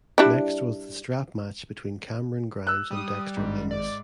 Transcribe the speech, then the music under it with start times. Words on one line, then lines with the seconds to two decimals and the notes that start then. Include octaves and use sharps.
Next was the strap match between Cameron Grimes and Dexter Lumis.
0.18 G3 D4 E4
2.67 E6 F#6
2.91 G3 D#6
3.37 G#1 G#2
3.71 D5